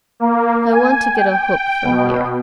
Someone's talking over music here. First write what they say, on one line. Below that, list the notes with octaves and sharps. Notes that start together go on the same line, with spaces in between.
I want to get a hook from here.
A#3
G#5
G5
B2